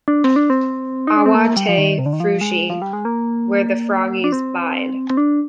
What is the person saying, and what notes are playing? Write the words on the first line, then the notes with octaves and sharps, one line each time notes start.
"Awa tae Freuchie where the froggies bide".
D4
C4
D4
C4
D#4
D4
C4
A#3
G3
F3
D#3
C3
D3
D#3
F3
G#3
F3
G3
G#3
A#3
D4
C4
C4
D4